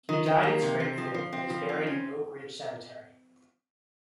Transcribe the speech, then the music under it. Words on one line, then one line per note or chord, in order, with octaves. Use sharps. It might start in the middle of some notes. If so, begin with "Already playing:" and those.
He died in Springfield and is buried in Oak Ridge Cemetery.
D#3
D#3
A#3
C3
C4
F3
F3
C4
F3
C4
C#4